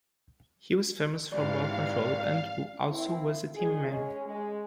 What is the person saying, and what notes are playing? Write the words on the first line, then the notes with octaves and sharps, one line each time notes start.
He was famous for ball control and also was a team man.
G#2 C3 E3 D5 F5
A#3 C4 E4
A#2 D#3 G#4
G#3 C#4
G#3